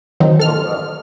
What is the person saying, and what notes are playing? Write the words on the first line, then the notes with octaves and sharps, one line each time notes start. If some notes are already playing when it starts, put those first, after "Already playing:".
Oh, wow.
D#3 E3 F#3 C4 D#4
A4 F6